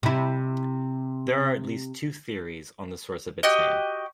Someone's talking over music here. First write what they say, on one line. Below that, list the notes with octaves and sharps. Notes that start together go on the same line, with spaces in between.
There are at least two theories on the source of its name.
C3 E4
F#4 G4 D#5